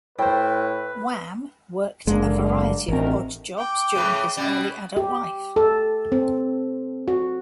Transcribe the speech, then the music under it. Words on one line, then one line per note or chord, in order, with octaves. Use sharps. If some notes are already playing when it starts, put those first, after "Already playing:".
Wham worked a variety of odd jobs during his early adult life.
A2 B4 C5 G5
F#1 D3 G#3 A#3
A1 D2 D#3 C4 A#4
G5 D6
A2 C#3 B4
B2 G3 C#4
G4
A4
C4
F#4